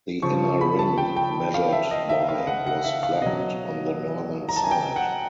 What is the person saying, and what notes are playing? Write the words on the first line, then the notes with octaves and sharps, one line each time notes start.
The inner ring measured by and was flattened on the northern side.
C#3 F3 C#6
B5
A5
G5
G5
F5
E5
D#5
E5
F5
F#5
F#5
E5
F5
B2 F#3 D#5
A#5
A5
G#5
G5
F#5